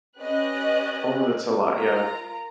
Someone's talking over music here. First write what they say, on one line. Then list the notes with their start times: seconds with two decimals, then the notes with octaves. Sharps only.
Ooh, that's a lot, yeah.
0.19 C#4 G4 B4 D5 D#5 F#6
1.71 F4 A#4 A#5